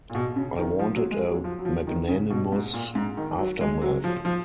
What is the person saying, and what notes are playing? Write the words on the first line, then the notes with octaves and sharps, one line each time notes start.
I wanted a magnanimous aftermath.
A#2
B2
C#3
D#3
F3
F#3
G#3
F#3
F3
F#3
F3
D#3
C#3
B2
G#2
A#2
G#2
D#3
F#3
G#3
F#3
F3
F3